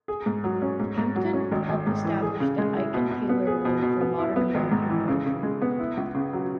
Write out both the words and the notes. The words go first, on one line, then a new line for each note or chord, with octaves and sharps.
Kempton helped establish the Aiken Taylor Award for Modern American Poetry.
G#4
G#2
F#3
C#4
G#2
G#2
F#3
C#4
G#1
G#1
G#2
E3
G#4
C#3
G#3
E4
B2
B2
B3
G#4
B2
B2
B3
E4
B3
G#1
G#2
E3
C#3
C#3
G#3
B3
E4
C#2
C#3
F#3